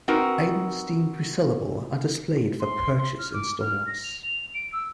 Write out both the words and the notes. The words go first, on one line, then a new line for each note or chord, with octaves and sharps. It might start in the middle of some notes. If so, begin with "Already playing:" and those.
Items deemed resellable are displayed for purchase in stores.
C4 D#4 F#4 A#4 B4
C6
C6
F6
D6
F6
A#6
F7
F7
D7
E6